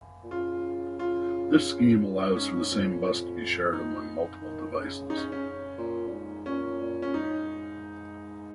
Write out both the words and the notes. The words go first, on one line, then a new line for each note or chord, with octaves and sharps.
This scheme allows for the same bus to be shared among multiple devices.
A#2
C#3 F4
F4
F2
G#2 C#4
F2
F2 D#4
D#3
A#2
C#3
D#4
C#4
C#4
A#2
F2
G#2
A#2 C#4
A#2
C#4
G#2 D#4